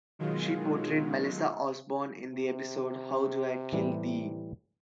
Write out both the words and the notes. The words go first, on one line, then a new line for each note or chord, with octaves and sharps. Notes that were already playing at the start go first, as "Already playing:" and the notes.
She portrayed Melissa Osborne in the episode How Do I Kill Thee?
B2 D#3 F#3 G#3 F4
C3
A2 E3 G3